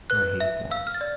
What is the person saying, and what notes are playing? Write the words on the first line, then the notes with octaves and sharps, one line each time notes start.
For I hate Florence.
B4 F#6
E5
F5 E6
F6
A6
D5